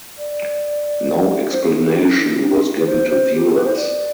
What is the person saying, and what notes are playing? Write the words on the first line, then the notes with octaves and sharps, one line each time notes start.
No explanation was given to viewers.
D5
C5
A4
A4
G4
D4
E4
D4
E4
C4
D4
B4
C5
C5
G4
A4
B4
C5
D5